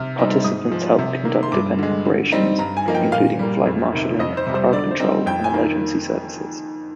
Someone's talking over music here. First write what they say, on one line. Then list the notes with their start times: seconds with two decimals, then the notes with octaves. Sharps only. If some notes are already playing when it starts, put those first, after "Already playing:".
Participants help conduct event operations, including flight marshaling, crowd control, and emergency services.
Already playing: C3 F6
0.18 G3 C4 D#4
0.44 G#2 D#6
0.71 F3 G#3
0.99 C3
1.25 D#3 A#3
1.43 C6
1.52 G2 D6
1.79 D3 G#3
2.05 D3
2.32 G3 C4 D#4
2.59 G2 A#5
2.77 G#5
2.86 F3 A#3 D#4
2.95 G5
3.12 A#2 F5
3.39 G3 A#3
3.66 F2
3.93 C3 D#3
4.19 F2 D#5
4.37 C5
4.47 C3 G3
4.55 C5
4.73 D3 D5
4.91 C5
4.99 G3 C4 D#4
5.26 F2 G5
5.44 G#5
5.54 D#3 A#3